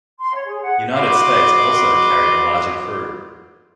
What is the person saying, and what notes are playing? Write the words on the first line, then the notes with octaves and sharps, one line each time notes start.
"United States" also carried a larger crew.
C6
C#5
G#4
F#5
F#4 D#5 B5 C6 D6